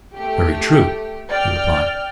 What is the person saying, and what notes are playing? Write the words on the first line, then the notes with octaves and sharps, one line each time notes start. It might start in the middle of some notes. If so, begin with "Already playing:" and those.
"Very true," he replied.
A3 G4
D5 G5 F6